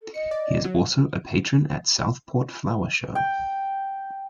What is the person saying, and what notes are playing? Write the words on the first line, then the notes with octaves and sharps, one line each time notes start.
He is also a patron at Southport Flower Show.
A4
D#5 C#7
D5
F#3
G5